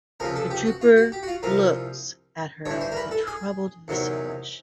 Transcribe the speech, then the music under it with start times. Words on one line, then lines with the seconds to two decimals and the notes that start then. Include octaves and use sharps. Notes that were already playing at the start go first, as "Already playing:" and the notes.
The trooper looks at her with a troubled visage.
0.20 C#2 C3 F3 A#4
0.36 A4
0.51 G4
0.66 F#4
0.82 F4
0.97 F#4
1.12 G4
1.23 F#4
1.28 F4
1.43 C2 C3 F3 A#4
2.65 G2 E3 C#5
2.81 C5
2.92 A#4
2.96 B4
3.11 A4
3.27 G#4
3.88 E2 C3 D#3 F#3